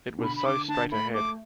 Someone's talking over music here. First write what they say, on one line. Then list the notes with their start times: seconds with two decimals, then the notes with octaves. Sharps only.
It was so straight-ahead.
0.18 B2
0.23 D3 B5
0.36 B5
0.46 D3 D6
0.68 D3 A5
0.92 A3 B5
1.14 A3 D6